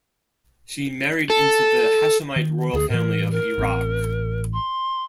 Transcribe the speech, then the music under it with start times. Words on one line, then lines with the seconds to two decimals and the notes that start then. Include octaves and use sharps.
She married into the Hashemite royal family of Iraq.
1.30 A4
2.36 D#3
2.73 D2 G#4
2.90 A2 E3 A#4
3.32 A#4
3.58 A1 C4
4.53 C6